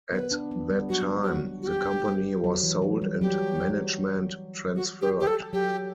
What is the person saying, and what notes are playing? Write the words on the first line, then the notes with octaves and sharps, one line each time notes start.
At that time, the company was sold and management transferred.
B3 B4
D4
B3
G3
F#3 F#4
G4
F#4
F#4
G4
F#3
E3
F#3
G3
F#3 G4
F#4
G4
G4
A4
F#3 G4